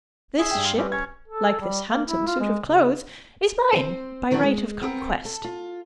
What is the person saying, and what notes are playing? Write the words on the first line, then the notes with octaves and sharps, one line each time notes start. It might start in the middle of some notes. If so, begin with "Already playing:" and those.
This ship, like this handsome suit of clothes, is mine by right of conquest.
G#4 E5 E6
G2 G5
F5 G#5 C6
G3 C4 C#4 G4 B4
C#4 C#5 G#6
A4
G3
A#3
E4
F4
G#3
C#3
C4 C5
F#2 D#3 E3 C4 D4 F#4
G#3
B3 C4 E4 A#4
A4
F4